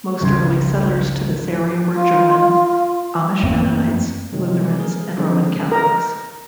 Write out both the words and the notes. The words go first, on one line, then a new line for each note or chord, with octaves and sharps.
Most early settlers to this area were German: Amish Mennonites, Lutherans, and Roman Catholics.
G#1 C#2 C6 G#6
F4
F#2 A3 A#3 C4
C3 D#3 F#3 G#3
G#4 A#4
D3 F3 G#3 C4 D#4
A#4 A#5